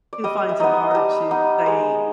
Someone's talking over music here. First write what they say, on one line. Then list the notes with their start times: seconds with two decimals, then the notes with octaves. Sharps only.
who finds it hard to say,
0.13 D5
0.24 G3 D#5
0.49 E5
0.60 B3 D#4 D#5
0.91 G3 A5 A#5
1.31 B3 D#4
1.66 G#3